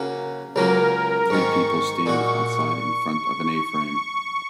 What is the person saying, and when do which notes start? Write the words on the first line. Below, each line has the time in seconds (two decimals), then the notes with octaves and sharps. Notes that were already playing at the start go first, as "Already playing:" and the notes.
Three people stand outside in front of an Aframe.
Already playing: C#3 A#3 C#4 F#4
0.55 C#2 C#3 F#3 A#3 C#4 A#4
1.30 G#2 D#3 G#3 C#6
2.06 A#2 G#3 F#4